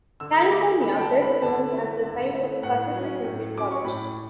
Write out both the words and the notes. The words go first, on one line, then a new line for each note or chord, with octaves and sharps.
California, best known as the site of Pacific Union College.
D3 E6
A3 E4 D6
D3 B5
G5
A5
A3 E4
B5
D3 A5
A3 E4
D3
A3 E4
A2 F#5
F#3 C#4
A2
F#3 C#4 D6
C#6
A2 B5